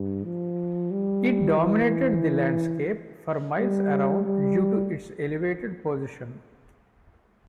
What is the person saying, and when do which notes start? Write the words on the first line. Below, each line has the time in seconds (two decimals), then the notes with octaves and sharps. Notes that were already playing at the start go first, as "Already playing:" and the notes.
It dominated the landscape for miles around due to its elevated position.
Already playing: G2
0.24 F3
0.91 G3
1.57 E3
3.58 G3
4.25 G3